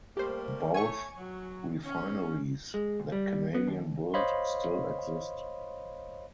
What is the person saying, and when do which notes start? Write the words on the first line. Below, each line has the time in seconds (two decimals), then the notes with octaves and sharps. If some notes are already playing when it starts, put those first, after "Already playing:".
Both refineries that Canadian built still exist.
0.17 G3 A3 A#3 G4 C5
0.74 A3 C#5 G#5 C#6
1.18 F#3
1.86 C#4
2.74 G#3
3.00 D2
3.12 G3
3.55 B3
3.67 D#2
4.14 C5 C#5 D#5 F5 B5 C6